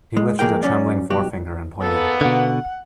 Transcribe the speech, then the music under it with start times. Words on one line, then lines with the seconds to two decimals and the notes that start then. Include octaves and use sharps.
He lifted a trembling forefinger and pointed.
0.17 G#3
0.39 F2 A#3 G#4 A#4 G5
0.63 F#2 F#3 C#4 D5
1.10 B1 F#4 G4
1.81 G#2 A#3 B3 A4
2.21 B2 D3 F#5